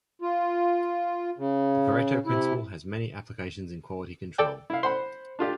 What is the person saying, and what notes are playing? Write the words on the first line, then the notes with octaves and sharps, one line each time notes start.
The Pareto principle has many applications in quality control.
F4
C#3
C3 E4
A4 D5 G5
E4 F5
C5 F#5 B5 C6
D4 F4 G4